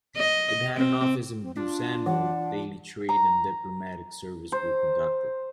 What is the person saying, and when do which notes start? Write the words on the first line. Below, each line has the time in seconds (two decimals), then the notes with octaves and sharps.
It had an office in Busan where daily trade and diplomatic service were conducted.
0.17 D#5
0.76 C4
1.42 C4
1.57 D4 F4
2.06 E3 F#5
3.09 A#5
4.52 C5